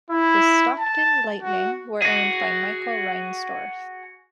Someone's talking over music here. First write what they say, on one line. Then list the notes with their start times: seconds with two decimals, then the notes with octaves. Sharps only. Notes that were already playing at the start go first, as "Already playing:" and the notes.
The Stockton Lightning were owned by Michael Reinsdorf.
0.10 E4
0.79 A5
1.42 F#4
2.02 F#4 G#4